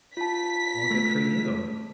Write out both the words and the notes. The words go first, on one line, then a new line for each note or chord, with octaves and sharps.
Well, good for you.
F4 A5 B6
A3